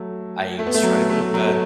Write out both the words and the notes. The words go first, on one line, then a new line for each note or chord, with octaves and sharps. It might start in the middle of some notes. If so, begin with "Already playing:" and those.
I was trying to go to bed,
Already playing: F#3 A3
A3
B3
A3
F#3
A3
A3
F#3
A3